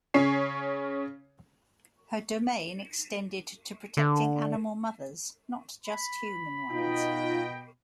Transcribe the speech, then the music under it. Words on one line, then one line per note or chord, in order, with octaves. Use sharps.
Her domain extended to protecting animal mothers, not just human ones.
C#3 C#4 C#5 C7
D3
B5
B2 D#4 F4 D#5 G5